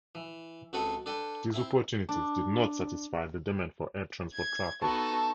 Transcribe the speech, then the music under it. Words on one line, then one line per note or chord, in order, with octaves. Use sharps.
These opportunities did not satisfy the demand for air transport traffic.
E3
C#2 C4 F#4 A4 B4 F#5
D4 A4 B4 G5
C4 E4
D4
G#6
B3 D#4 F#4 A4 A5 C#6